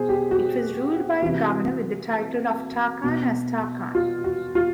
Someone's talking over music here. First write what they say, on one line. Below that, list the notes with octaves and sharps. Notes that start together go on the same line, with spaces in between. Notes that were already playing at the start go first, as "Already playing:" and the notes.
It was ruled by a governor with the title of Tarkhan As-Tarkhan.
Already playing: B2 G#4 C5
G4
F#4
C3 E3
B2
F4
F#4
F4